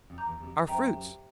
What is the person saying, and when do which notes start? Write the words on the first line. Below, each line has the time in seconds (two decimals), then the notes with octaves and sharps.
Our fruits.
0.10 F2
0.18 A#5 D6 G6
0.26 E2
0.38 E2
0.43 F2 G4
0.68 F#2 C5 E5 G5 A#5
0.93 G4